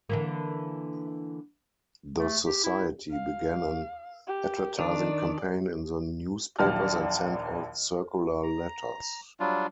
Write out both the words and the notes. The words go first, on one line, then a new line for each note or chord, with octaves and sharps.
The society began an advertising campaign in the newspapers and sent out circular letters.
D3 E3 A#3
A3
G4
E4
F5
G4
D#3 D4 D5
A#1 D#2 F#3 D5 A5 F6
A#5
F#3 G3 D4 F4